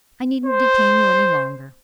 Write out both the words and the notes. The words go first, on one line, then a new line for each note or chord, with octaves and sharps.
I needn't detain you any longer.
C5